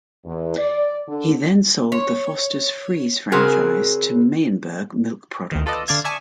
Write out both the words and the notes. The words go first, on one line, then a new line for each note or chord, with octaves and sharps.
He then sold the Fosters Freeze franchise to Meyenberg Milk Products.
E2
D5
D3
C#5
C#3 C4 F#4 G#4 A#4
D2 D#3
F4 A4 B4 D5 D#5
D3 D4 D5 F5 G#6
D5 E5 G#5 A5 C#6 D#6